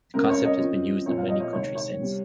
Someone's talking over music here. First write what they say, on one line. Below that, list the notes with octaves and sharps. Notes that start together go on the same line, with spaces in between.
The concept has been used in many countries since.
C#3 G#3 C4 A#4
C#5
D#5
C#3 F3 C4
A#2 F3 C4 C#5
F5
D#5
C#5
C3 D#3 G#3 C#5
C#5
C3 G3 C4